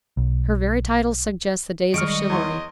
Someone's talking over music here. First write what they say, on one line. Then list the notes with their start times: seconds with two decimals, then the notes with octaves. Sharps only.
Her very titles suggest the days of chivalry.
0.17 B1
1.94 D#3 G3 G#3 D#5 C#6 F6 C#7 D7
2.30 E2 C#5 C6